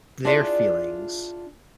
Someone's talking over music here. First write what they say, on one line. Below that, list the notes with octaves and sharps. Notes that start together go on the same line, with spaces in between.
their feelings,
D4 E4 F4 G#4 D5